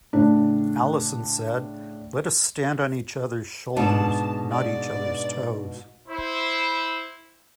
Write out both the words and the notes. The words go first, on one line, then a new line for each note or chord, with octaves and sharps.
Allison said, Let us stand on each others' shoulders; not each others' toes.
A2 C#3 D4
G#2 B2 D4 A5
D5
E4 C5